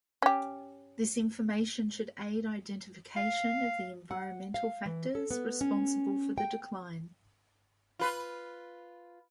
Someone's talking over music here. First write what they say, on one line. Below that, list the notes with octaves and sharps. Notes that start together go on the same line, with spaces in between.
This information should aid identification of the environmental factors responsible for the decline.
C#4 G4
F5
F#5
F5
E3
A4
B3
C#4
G5
F4 B4